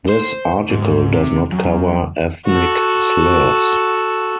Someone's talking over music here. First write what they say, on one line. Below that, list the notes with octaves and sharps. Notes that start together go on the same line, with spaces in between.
This article does not cover ethnic slurs.
C5
G#2
C3
F#2
F#4 A4